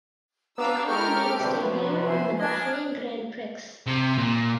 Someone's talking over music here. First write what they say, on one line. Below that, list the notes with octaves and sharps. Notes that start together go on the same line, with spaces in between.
The car made its debut in the Bahrain Grand Prix.
B3 D4 G4 F5 A#5 D6 E6 D#7
G#3 G4 A4 A#4 C#6 F6 G6
C3 F3 F#3 B3 D4
C5 E5 G#5
D4 D#5 G#5 F6 G#6
C3
A#2